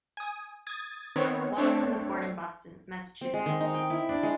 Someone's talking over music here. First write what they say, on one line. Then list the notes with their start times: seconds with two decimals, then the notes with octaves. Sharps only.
Watson was born in Boston, Massachusetts.
0.17 G#5 D#6
0.67 D#6 G#6 A6
1.16 D#3 B3 C4 C#5
1.57 A3 C4 D4 C#5
3.21 C4
3.34 G#3
3.46 D#3
3.60 D#4
3.74 G5
3.90 E4
4.09 D4
4.23 G#3